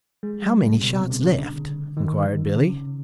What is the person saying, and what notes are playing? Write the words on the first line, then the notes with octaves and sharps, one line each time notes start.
"How many shots left?" inquired Billy.
G#3
G3
C#3
B2
C3
C#3
C#3
D3
D#3
D#3
C#3